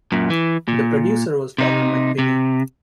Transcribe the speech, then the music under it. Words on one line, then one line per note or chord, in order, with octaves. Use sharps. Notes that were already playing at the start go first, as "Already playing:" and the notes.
The producer was Donald McWhinnie.
F#2 A#2
E3
A#2
C3 D#4
C3